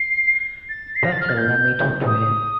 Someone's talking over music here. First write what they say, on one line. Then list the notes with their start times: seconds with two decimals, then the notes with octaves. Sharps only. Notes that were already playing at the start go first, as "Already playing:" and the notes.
Better let me talk to him.
Already playing: C7
0.69 A6
0.96 C7
1.03 A#6
1.12 A6
1.21 F6
1.29 A6
1.38 G6
2.06 D#6